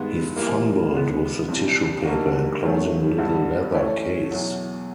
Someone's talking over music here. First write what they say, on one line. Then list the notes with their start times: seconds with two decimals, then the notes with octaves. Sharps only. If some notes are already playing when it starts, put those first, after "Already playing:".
He fumbled with the tissue paper enclosing a little leather case.
Already playing: G2 D#3 G#3 B3
0.36 E3 G3 A#3
0.92 B2 G#3 B3
1.48 F2 C3 E3 G3
2.05 D3 G3 A#3 D#4 F#4
2.62 D#3 F#3 A3
3.18 G2 D3 G3 B3
3.74 E3 A3 C#4
4.31 E2 B2 F#3